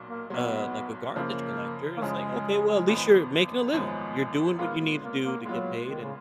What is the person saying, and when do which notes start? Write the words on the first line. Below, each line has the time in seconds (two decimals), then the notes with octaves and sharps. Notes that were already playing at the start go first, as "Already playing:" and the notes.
uh, like a garbage collector, it's like, "Okay, well, at least you're making a living. You're doing what you need to do to get paid," and
Already playing: B1 A#2 F#3
0.09 A#3
0.30 B1 A#2 F#3 B3
1.16 F#2 C#3 F3 A#3
1.97 A#3
2.02 F#2 C#3 F3 G#3
2.88 G#1 F#2 F3 B3
3.74 G#1 F#2 F3 G#3 B3
4.58 A#2 G#3 A#3 B3 F4
5.02 A#3
5.23 A#3
5.44 A#2 F#3 G#3 B3 F4
5.88 D#3
6.00 C#3